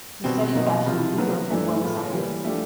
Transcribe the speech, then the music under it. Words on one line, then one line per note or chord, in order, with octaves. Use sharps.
She studied fashion in New York and Buenos Aires.
B2 G3 C4
B2 F#3 A#3 D#4
C3 F3 G#3
D#3 F#3 B3
G2 E3 A3 D4
A2 F3 G#3 B3
E3 G3 A#3
F3 A3 D4 G4